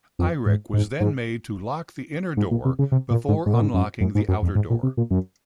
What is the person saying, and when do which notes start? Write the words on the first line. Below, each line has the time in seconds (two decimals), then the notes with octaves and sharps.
Eirich was then made to lock the inner door before unlocking the outer door.
0.19 F2
0.46 G#2
0.74 G#2
1.00 G#2
2.37 G#2
2.51 A#2
2.65 C3
2.79 C#3
2.92 C3
3.11 A#2
3.28 G#2
3.46 G#2
3.54 A#2
3.61 G#2
3.74 F#2
4.01 F#2
4.15 G#2
4.28 F#2
4.43 F2
4.55 G#2
4.70 A#2
4.83 C3
4.97 A#2
5.11 F#2